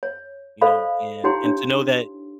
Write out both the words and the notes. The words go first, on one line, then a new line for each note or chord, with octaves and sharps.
you know, and and to know that,
C#5
A4 C5 D5 D#5 F5 B5
D#4 E4 G4 C#5 G5 C6
D4 C#5